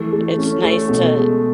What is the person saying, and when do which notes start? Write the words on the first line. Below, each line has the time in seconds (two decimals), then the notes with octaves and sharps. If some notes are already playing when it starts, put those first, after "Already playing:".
It's nice to
Already playing: E3 A3
0.13 A3
0.38 C#4
0.63 A3
0.89 B2
1.15 G#3